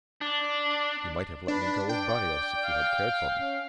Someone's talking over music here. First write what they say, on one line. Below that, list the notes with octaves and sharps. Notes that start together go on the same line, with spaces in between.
You might have let me go with Barrios if you had cared for me.
D4
D4 B4
D5 G5
F5
C#4